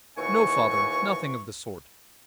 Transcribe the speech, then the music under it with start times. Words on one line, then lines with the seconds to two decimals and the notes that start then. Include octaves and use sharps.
'No, father, nothing of the sort.
0.17 D#2 B2 E3 G#5 C#6